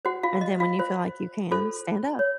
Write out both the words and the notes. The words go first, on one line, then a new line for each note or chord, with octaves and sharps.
and then, when you feel like you can, stand up
F#4 C5 F#5
F4 F5
D#5
F4 F5
F4 C5
F4 A4 C5
C#5